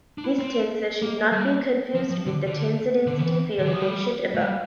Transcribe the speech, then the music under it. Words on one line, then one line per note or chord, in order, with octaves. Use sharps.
This tensor should not be confused with the tensor density field mentioned above.
D4
E4
C4
A#3
G3
F3
F3
D3
D3
D3
E3
D3
E3
F3
G3
A3
G3